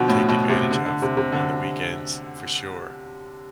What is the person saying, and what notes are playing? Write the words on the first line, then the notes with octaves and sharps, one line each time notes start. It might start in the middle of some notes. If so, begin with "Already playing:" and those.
take advantage of on the weekends for sure.
Already playing: B2 D3 F3
A2
B2
C3
D3
D3
C3
C3
D3